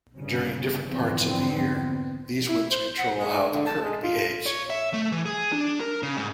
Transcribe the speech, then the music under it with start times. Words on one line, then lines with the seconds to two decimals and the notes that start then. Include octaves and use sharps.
During different parts of the year these winds control how the current behaves.
0.17 G1 C#3
0.86 F2 G#2 D3 E3 B3 C4
2.48 E4
2.71 C5
2.99 F#5
3.17 G#3
3.51 D3
3.67 A5
3.81 G#3
4.03 F4
4.46 C#5
4.70 E5
4.93 A3
5.12 E3
5.26 G#4
5.52 D4
5.81 A#4
6.03 C#3
6.17 G#2